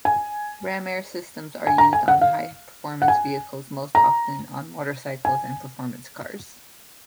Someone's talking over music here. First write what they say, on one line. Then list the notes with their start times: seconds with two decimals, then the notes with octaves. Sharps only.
Ram-air systems are used on high-performance vehicles, most often on motorcycles and performance cars.
0.05 G#5
1.67 G#5
1.78 A#5
1.93 G#5
2.08 F#5
2.21 F5
3.02 F#5
3.08 G#5
3.95 A#5
5.25 G#5